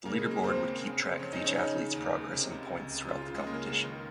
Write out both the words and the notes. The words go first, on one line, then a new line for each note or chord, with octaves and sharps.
The Leaderboard would keep track of each athletes progress in points throughout the competition.
C#3 A#3 A#4
G#3 G#4
C#3
A#3 A#4
D#2 C4 C5
D#2
C#3
C#3
F2 C#4 C#5
D#4 D#5
C#3
C#4 C#5
C#3 D#4
C#3
D#2
C#3
C3
C#2
C#2
C#2
C#3 F4
F4
C#3
G#3 G#4
C#3 A#3 A#4
C#2
D#3